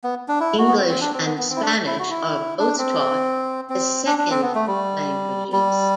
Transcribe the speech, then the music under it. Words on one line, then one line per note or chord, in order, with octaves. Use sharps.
English and Spanish are both taught as second languages.
B3
D4
E4
F#4
B3
C4
C4
D4
C4
B3
B3
C4
E4
D4
E4
F#4
E4
D4
C4
C4
D4
D4
C4
B3
A3
G3
G3